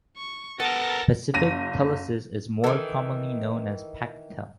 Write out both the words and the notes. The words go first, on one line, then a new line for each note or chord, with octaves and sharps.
Pacific Telesis is more commonly known as PacTel.
C#6
B3 A4 A#4 A5 A#6
F#1 A#6 D#7
D#3 E3 A4